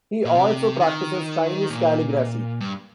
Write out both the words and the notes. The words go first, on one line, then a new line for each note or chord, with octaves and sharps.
He also practices Chinese calligraphy.
A#2
C3
D#3
A#2
G2